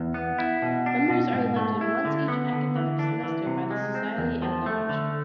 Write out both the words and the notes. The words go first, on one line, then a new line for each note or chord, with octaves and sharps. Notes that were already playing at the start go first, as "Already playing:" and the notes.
Members are elected once each academic semester by the Society at large.
Already playing: E2
B3
E4
B2
D4
B2
G#2
A3
E4
D3
B3
D3
E3
D4
E3
C3
G#3
C4
E2
F3
A3
D3